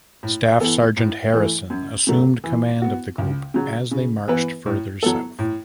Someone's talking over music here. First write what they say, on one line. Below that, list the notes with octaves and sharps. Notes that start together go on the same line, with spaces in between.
Staff Sergeant Harrison assumed command of the group as they marched further south.
A2
E3 B3 A4
A2
E3 A3
F#2
C#3 F#3 A3
E3
B3 F#4
C#2
C#3 F#3
C#3
E3 B3 E4 B4
A2
F#3 B3 A4
A2